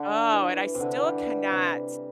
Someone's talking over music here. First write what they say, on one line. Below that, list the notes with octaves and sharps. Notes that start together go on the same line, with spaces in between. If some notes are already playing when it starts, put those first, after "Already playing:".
Oh, and I still cannot,
Already playing: D3
E3
C3
D3
E3
G3
C3